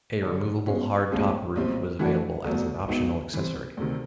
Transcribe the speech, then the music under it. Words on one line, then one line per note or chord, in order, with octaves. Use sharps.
A removable hardtop roof was available as an optional accessory.
F#2 D3 G3
B2 G#3 C#4
B1 A2 F3 G#3 C#4
B1 A#2 G3 C4
E3 A3 D4 F#4
C2 B2 F#3 A3
C#2 B2 F#3 B3 D#4
E3 G3 C4
D2 C3 D#3